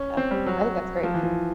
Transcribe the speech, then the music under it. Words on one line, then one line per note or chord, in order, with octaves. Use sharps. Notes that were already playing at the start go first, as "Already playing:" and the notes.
Uh I think that's great.
Already playing: C#4
C4
G3
F#3
F3
E3
F3